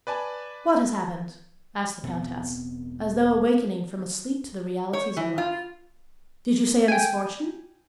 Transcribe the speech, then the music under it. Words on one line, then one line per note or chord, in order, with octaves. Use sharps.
What has happened?" asked the countess, as though awakening from a sleep to the realities of life; "did you say a misfortune?
B4 D5 G#5 A5
E1 B2 B3 C4
C#5
E3
F4
G5 G#5